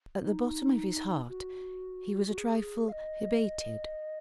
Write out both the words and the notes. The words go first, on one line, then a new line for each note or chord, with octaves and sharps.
At the bottom of his heart, he was a trifle hebetated.
D#4
F#4
F#4
G#4
F5
D#5